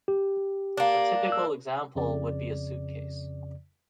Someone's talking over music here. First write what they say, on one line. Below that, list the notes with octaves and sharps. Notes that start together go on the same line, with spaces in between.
A typical example would be a suitcase.
G4
A#3 D4
E6
F2 C#3 D5